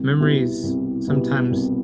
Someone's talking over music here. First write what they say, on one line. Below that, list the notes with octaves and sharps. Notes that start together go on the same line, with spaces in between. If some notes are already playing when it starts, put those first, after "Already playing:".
memories, sometimes
Already playing: C2
B2 B3 E4 G4
C2
B2 B3 E4 G4
C2